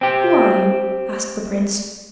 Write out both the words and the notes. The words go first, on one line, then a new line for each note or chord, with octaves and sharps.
'Who are you?' asked the prince.
C4 G4